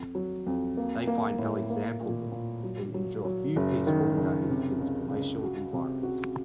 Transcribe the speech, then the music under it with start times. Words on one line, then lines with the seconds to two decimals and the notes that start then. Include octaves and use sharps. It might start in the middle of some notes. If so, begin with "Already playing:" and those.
They find Alexample there, and endure a few peaceful days in its palatial environs.
Already playing: F2
0.15 F#3
0.46 F2
0.77 A#3
1.07 A#3
1.38 A2
1.70 A#3
2.01 A#2
2.32 A#2
2.63 F#3
2.94 F#3
3.25 F#3
3.56 F#1
3.87 D#3
4.17 F#1
4.49 C3
4.79 C#2
5.10 C#2
5.42 F#4
5.73 C3
6.03 F#4